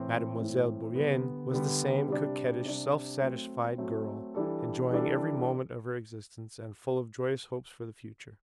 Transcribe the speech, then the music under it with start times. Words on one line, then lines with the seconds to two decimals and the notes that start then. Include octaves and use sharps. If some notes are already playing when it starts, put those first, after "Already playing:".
Mademoiselle Bourienne was the same coquettish, self-satisfied girl, enjoying every moment of her existence and full of joyous hopes for the future.
Already playing: A2 E3 A3 C4
0.39 A2 E3 A3 C4
0.95 D3 G3 B3
1.51 D3 G3 B3
2.08 C3 G3 D4
2.65 C3 G3 D4
3.21 F#3 A3 C4
3.78 F#3 A3 C4
4.35 E3 G3 D4 A4
4.91 E3 G3 D4 A4